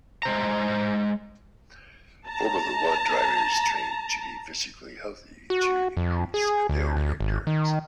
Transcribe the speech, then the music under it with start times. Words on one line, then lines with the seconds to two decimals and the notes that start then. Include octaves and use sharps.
Formula one drivers train to be physically healthy to increase their endurance.
0.23 G#3 C5 A#5
2.26 A5 A#5
5.50 F#4
5.97 F2
6.34 G#4
6.69 D2
6.96 D2
7.20 G#1
7.47 D#3